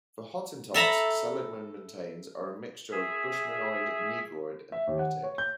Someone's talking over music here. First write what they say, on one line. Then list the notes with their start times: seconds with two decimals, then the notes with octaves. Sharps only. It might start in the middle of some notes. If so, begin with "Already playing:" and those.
The Hottentots, Seligman maintains are a mixture of Bushmanoid, Negroid and Hamitic.
0.74 A4 E5 A#5 B5
2.91 G#4 E5
4.72 E5
4.87 D#2
4.99 F#5
5.23 C#5
5.38 G6